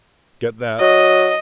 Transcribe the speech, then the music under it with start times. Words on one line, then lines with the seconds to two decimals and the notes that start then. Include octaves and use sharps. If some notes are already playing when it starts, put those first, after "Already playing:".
Get that?
0.80 F#3 D#5